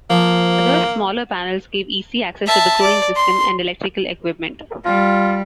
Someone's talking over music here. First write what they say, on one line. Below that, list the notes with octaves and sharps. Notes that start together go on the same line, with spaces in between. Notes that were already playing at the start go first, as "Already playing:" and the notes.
Other, smaller panels gave easy access to the cooling system and electrical equipment.
F3 A#3
E5 A5
D5
C6
G3 F4